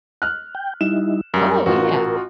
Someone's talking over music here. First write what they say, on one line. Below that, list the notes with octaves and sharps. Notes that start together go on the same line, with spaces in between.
Oh, yeah.
F6 F#6
G5
G3 D#4 E4 E7
F#2 G3 A#4
A1 F4 F#4